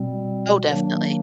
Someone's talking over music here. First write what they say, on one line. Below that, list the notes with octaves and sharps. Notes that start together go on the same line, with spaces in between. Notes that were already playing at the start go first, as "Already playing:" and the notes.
Oh, definitely.
Already playing: B2 G3 C4
D#3 F#3 A#3 D4